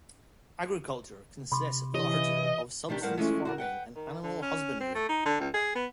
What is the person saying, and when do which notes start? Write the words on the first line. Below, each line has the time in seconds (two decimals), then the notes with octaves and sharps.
Agriculture consists largely of subsistence farming and animal husbandry.
1.52 C3 B5 C6 D6
1.95 E3 G4 C#5 D#5
2.89 C3 D#3 D4 G4
3.02 A2 G3 A#4 C5 F5 F#5
3.17 E3 F3 G#3 A3 C#4
3.45 F#4 G#4 A#4
3.58 B4 F#5 G5
3.96 D#3
4.23 D3
4.42 C#4
4.80 C4
4.95 A3
5.09 D#4
5.25 D3
5.40 C#2
5.54 G#4
5.75 B3